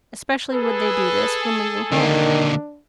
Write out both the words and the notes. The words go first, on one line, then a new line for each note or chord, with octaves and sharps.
Especially would they do this, when leaving home.
G#4 A4 B4
D3 D#3 A#3 D4